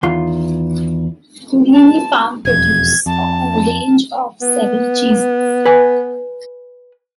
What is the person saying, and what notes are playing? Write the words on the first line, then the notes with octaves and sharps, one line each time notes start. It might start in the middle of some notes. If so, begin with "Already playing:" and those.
Cooleeney Farm produce a range of seven cheeses.
E2 D#3 F4 C6
A5
E1 F2 G#6
F2 A5
B3
B4 G#5